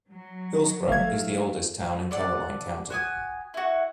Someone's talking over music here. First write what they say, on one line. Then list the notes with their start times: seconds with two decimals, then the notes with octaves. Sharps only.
Hillsboro is the oldest town in Caroline County.
0.11 F#3
0.88 G1 A3 E5 F5 G#6
2.11 A4 D5 F#5
2.90 F#4 G#5 D#6
3.54 E4 F#4